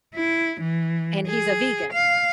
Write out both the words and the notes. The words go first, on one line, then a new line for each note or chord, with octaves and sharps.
and he's a vegan.
E4
E3
G#4
F5